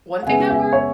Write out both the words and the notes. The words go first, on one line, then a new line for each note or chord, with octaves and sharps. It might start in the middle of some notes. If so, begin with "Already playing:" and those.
One thing that worked
F#5
C#3 G#3 B3 E5 G#5
E5 G#5
C#5 E5